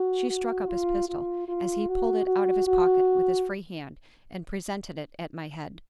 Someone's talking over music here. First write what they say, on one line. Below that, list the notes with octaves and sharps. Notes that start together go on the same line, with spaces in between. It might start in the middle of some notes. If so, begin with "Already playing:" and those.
She struck up his pistol as he pulled it out of his pocket with his free hand and presented it at my head.
Already playing: F#4
F#4
F4
F4
F4
F#4
F#4
F#4